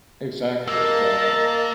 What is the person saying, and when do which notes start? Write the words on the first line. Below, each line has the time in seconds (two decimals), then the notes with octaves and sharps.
Exactly, exactly.
0.68 A#3 A#4 D#5 A5 E6